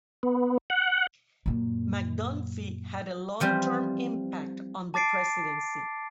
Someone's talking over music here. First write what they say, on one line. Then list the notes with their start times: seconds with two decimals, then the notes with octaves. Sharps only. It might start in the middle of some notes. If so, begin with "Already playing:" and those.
McDunphy had a long-term impact on the presidency.
0.23 B3
0.70 F#5
1.46 F#2 A#2
3.40 E3 F3 G3 C4
4.94 A5 D6 A6 C7 D7